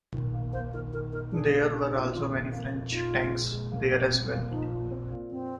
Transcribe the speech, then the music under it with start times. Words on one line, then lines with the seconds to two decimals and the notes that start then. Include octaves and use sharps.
There were also many French tanks there as well.
0.14 D#3
0.33 A#3
0.53 A#3 C5
0.73 D#3 A#4
0.93 D#3 A#4
1.13 D#4 A#4
1.33 D4 G#4
1.52 A#3
1.73 D4
1.93 A#2
2.12 D#3 F4
2.32 F2
2.52 A#3
2.72 F2
2.92 D#4 F4
3.12 G#3
3.32 G#3
3.52 G#3
3.72 A#3
3.91 F2
4.11 F2
4.31 A#3
4.51 F3 D#4
4.71 A#2
4.91 C4
5.11 A#2
5.31 F2 C4